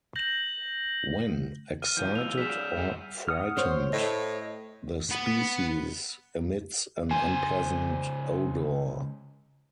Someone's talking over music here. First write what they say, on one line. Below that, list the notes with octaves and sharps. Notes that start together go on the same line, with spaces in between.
When excited or frightened, the species emits an unpleasant odor.
G6 A#6 F#7
F6 D#7
E3 F3 G3 G6 D#7
E6 F7
G#4 C#5 D5 B6 E7
G2 E5 F#5
F#5 D#6 F6
C5 C#5
A2 D#5
B3
C#2 C5 G#5